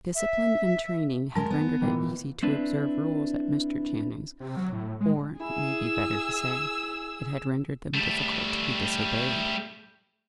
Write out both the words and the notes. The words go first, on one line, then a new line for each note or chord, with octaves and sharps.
Discipline and training had rendered it easy to observe rules at Mr. Channing's; or, it may be better to say, it had rendered them difficult to be disobeyed.
E5
G#3 A#4 A5 A#6
B3
A#2 D#3 E3
C4 D4 E4 B4
C3
F#3
A2
G#3
E4 G#4 G#5 E6
G3 A3